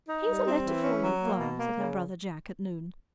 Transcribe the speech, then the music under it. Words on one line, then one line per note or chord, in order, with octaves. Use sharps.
"Here's a letter for you, Flo," said her brother Jack at noon.
D#4
G3
C4
E3
C#4
F#3
A#3
B2
A#3
C#3